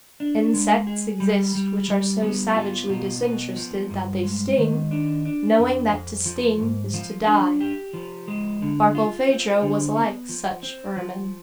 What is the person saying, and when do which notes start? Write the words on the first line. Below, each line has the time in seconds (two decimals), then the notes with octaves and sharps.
Insects exist which are so savagely disinterested that they sting, knowing that to sting is to die. Barkilphedro was like such vermin.
0.20 D4
0.54 G#3
0.87 G#4
1.20 G3
1.55 G3
1.88 G3
2.22 B3
2.55 F4
2.90 B2
3.23 B3
3.56 F3
3.90 G2
4.23 G#3
4.58 D#3
4.91 D4
5.25 D4
5.59 F2
5.92 F2
6.25 F3
6.60 G#2
6.94 F3
7.26 D4
7.61 G4
7.93 F3
8.28 G#3
8.62 D3
8.95 F4
9.29 C4
9.62 D3
9.96 B3
10.29 F3
10.63 C4
10.96 F3